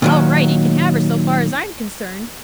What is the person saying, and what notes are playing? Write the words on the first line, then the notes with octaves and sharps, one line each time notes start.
All right, he can have her so far as I am concerned.
A#2 D#3 F#3